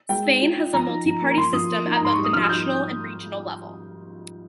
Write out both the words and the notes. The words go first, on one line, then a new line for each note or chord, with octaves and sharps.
Spain has a multi-party system at both the national and regional level.
G#3 G5
D#4
F4
F4
F3 A#5
D#4
F3
A#3
A#5
F3 C6
F3 D#6
A#3
D#4
A#5
G#2 C6
G3 C#6
D#6
F3 F6
F6
D#4 G6